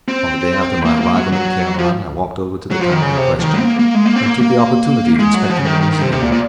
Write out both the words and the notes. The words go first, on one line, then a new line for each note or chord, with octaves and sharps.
On the day after my arrival in Caermaen I walked over to the town in question, and took the opportunity of inspecting the museum.
C4
A#3
A#3
F#3
F#3
F3
F#3
F3
D#3
C#3
C3
F3
D#3
F#3
C4
A#3
A#3
G#3
A#3
C4
A#3
A#3
G#3
F#3
F3
C#3
D#3
D#3
D#3
C3
C3
A#2
A#2